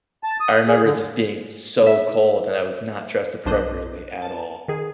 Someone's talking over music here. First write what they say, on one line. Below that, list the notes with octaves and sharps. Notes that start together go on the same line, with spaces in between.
I remember it just being so cold and I was not dressed appropriately at all,
A5
D#6
G#4
D3
E5
B1 G2 D4 C5 D#5 F#6
A5
D#3 G#4